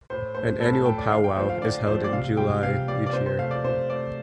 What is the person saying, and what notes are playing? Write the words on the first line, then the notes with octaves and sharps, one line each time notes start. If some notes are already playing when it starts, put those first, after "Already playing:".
An annual pow-wow is held in July each year.
A2 C5
A3 C5
A2 A4
A5
A3 G5
D5
D3 F5
G5
F3 A3 C5
F5
D3 D5
F3 A3 C5
D5
C3 F5
G3 G5
C3 F5
G3 D5
D5
C3 C5
C5
A3 F5
D5
C3 C5
A3 D5